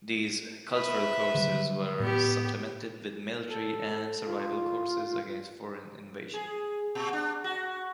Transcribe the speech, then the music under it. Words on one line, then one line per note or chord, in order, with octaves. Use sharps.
These cultural courses were supplemented with military and survival courses against foreign invasion.
B4 E5
D3 F#3 G3
A2 B3 G4
A4
F4
G#4
A#2
D4
F#4